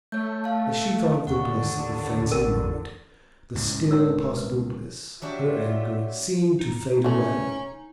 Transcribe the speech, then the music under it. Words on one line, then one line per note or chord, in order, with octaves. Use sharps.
As she thought of the bliss of the fancied moment, the still possible bliss, her anger seemed to fade away.
A3 C#5 G6
F5 A5
D#2 D3 F#5 C#6
A1 A#4
C#2 A2 C#3
A#4 C#5 E6
B4
F#3 D4 F4 G4 E5
D#4
E3 A3 C#4